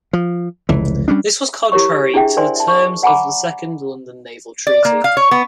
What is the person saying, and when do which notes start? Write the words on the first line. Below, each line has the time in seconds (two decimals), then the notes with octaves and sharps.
This was contrary to the terms of the Second London Naval Treaty.
0.13 F3
0.69 F1 C#2 E3
1.08 G3 C#4 D4
1.72 E4 G4 A#4 C#5 C#6
2.14 D4 E4 G#4 E5 G5
2.37 A#4 C5 D5 E5 G#5 C6
2.56 E5 A5
2.68 C#6
3.02 D5 F#5 G#5 A#5 B5 D6
4.67 D5
4.85 A#3
5.04 F5
5.17 C#5
5.31 B3